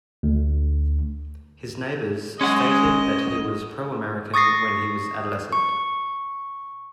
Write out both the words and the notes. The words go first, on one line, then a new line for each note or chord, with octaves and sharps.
His neighbors stated that he was pro-American when he was adolescent.
D2
G#3 C#4 D#5 F#5
C#6 D#6 A6 A#6 C7
C#6